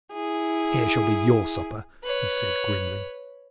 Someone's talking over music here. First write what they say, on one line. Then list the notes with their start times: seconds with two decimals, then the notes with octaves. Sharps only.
"Here shall be your supper," he said, grimly.
0.13 E4 G#4
2.04 B4 C#5